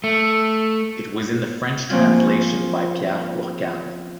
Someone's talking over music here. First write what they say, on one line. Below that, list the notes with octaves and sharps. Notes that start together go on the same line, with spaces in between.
It was in the French translation by Pierre Hourcade.
A3
F3 A#3 C4 C#4 F4